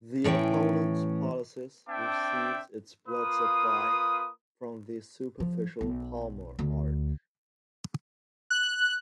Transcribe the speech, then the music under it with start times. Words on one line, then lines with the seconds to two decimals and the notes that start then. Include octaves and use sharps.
The opponens pollicis receives its blood supply from the Superficial palmar arch.
0.24 A2 E3 C#4 G5
1.89 C4 D4 E5 G5 A5 D6
3.09 A#3 F4 B4 D#6
5.40 F3
5.81 B1
6.59 D2
8.50 F#6